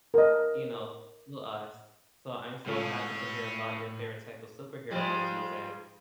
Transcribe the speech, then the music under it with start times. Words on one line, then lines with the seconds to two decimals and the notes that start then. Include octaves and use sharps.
you know, to us. So I'm so happy to hear about your favorite type of superhero movies and,
0.14 A#4 D#5
2.66 A2 G#3 C4 C#4 F4 A4
4.90 F3 G3 G#3